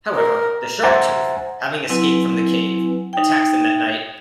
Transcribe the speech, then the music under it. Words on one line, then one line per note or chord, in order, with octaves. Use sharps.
However, the Sharptooth, having escaped from the cave, attacks them that night.
A#4
C5 E5 F#5 G#5 A#5 A6
F#3 C4 E4 B4 G#5
D#4 G5